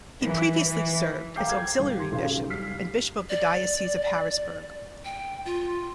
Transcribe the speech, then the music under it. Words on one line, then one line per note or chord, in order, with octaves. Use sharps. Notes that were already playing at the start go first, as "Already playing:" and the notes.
He previously served as Auxiliary Bishop and Bishop of the Diocese of Harrisburg.
E3
E3
F5 G5 A#5 D6 G6 C7
D6 G#6 C7
G1
G4 C6
B1 C#3 F#3
G3 F6 B6 C7
D5
G5
F4